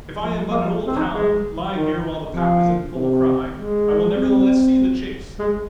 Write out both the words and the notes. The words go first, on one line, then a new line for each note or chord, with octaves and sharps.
If I am but an old hound, lying here while the pack is in full cry, I will nevertheless see the chase!
F3
A#3
F3
C4
D#4
G#3
D#3
C3 F3
A#2
C3
G#3
C4
G#3